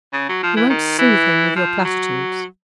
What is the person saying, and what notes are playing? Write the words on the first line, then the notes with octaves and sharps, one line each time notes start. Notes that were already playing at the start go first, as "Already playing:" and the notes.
"You won't soothe him with your platitudes."
C#3
F#3
F3
E3
D#3
E3
F3
F#3